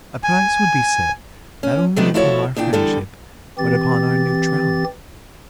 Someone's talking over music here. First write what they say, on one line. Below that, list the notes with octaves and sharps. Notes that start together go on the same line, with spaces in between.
A price would be set not only upon our friendship, but upon our neutrality.
G#5
C#4
C3 D#3 G3 A3 B3 D4
F3 E4 F#4 A4 B4 C#5
E2 A#2 D4 G5
E2 D3 G3 D4 A4
E3 C4 G4 A6